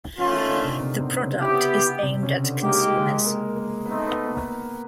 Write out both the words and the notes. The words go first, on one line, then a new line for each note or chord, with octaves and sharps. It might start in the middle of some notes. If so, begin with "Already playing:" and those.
The product is aimed at consumers.
E3 A3 C#4 E4 F4
D#3 D#4
D3 D4
C3 C4
C3 C4
B3
C3 C4
C#3 C#4
B3 E4 G4
C3 C4
C#3 C#4
D3 D4
G#3 A#3 D#4 G4 G#4
G#3 G#4
A#3 A#4
A#3 A#4
A3 B3 C4 D#4 B4
B3 B4
A#3 A#4